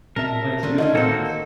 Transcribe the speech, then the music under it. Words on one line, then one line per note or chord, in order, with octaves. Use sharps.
You might use that.
B2 C4 A#4 E5 A5
D3 F3 A3 D4
F3 A3 C#4 D#5
D#3 A#3 C4 F#4 A4